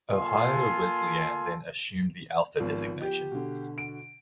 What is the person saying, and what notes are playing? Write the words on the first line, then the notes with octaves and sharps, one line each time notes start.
Ohio Wesleyan then assumed the Alpha designation.
A#3 F4 A4 G#5 C6
G#1 F3 B3 F4
G4
B2 D3
D7